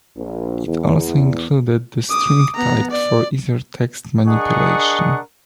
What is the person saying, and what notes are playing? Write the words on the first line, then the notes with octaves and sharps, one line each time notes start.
It also included the string type for easier text manipulation.
A#1
E2
D6 D#6
B3 A#5
D5
D4 G#4 A#4 D#5 F#5 C#6